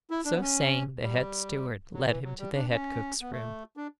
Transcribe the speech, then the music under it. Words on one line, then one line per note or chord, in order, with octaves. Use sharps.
So saying, the head steward led him to the head cook's room.
E4
D4
B3
C#4
G3
F#3
E3
F#3
G3
D4
C#4
B3
A3
D4